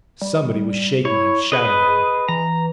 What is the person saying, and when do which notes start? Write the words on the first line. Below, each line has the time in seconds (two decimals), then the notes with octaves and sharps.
Somebody was shaking him, shouting at him.
0.21 G3
1.05 E4 C#5
1.52 G#4 B4 D#5
2.29 E3 A#5